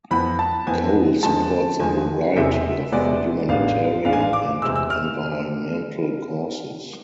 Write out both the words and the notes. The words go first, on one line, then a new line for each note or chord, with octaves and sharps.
Cole supports a variety of humanitarian and environmental causes.
F2 E3 B3 B5
A5
F2 E3 B3 G#5
E2 D3 F3 G#3 A5
E2 D3 F3 G#3 G#5
E1 E2 C3 G#3 B3 E5
E1 E2 C3 G#3 B3 D5
A1 G#2 G#3 B3 D4 F5
A1 G#2 G#3 B3 D4 F5
G#5
F5
D6
E2 C3 G#3 E6
E6
F6